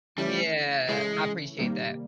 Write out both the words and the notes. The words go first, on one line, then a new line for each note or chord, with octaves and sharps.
Yeah. I appreciate that.
C#3 E3 G3 A3 C#4 E4
C#3 E3 G#3 A3 C#4 E4
C3 D#3 G3 A#3